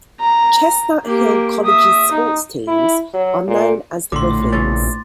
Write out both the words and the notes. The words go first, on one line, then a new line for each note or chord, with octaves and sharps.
Chestnut Hill College's sports teams are known as the Griffins.
A#5
A#3 G4
E5 D#6
D#4
E4
F#3
A#2
A#1 A2 D3 C6 D6
C#3 E3 C#4 A6